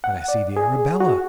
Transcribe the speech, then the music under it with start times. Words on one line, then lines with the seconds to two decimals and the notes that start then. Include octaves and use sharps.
"But I see the Arabella."
0.04 F#5
0.28 D5
0.57 G#4
1.00 F#4